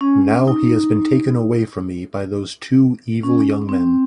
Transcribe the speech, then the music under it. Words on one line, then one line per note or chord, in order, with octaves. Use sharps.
Now he has been taken away from me by those two evil young men.
C#4
D#4
C#4
C4